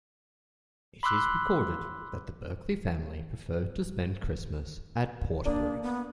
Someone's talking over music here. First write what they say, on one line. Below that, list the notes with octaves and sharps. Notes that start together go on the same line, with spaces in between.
It is recorded that the Berkeley family preferred to spend Christmas at Portbury.
B5 C6 D6 E6 F#6
A#3 D4 D5 D#6
B3